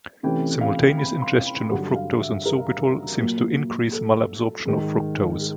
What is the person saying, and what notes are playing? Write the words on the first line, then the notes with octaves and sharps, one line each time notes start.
Simultaneous ingestion of fructose and sorbitol seems to increase malabsorption of fructose.
C3 E3 A3 C#4 G5
F5
B5
C6
B5
G2 D3 F#3 F#5
F5
E5
A#4
A#2 F#3 A#3
A4
G#2 D#3 G#3
G#4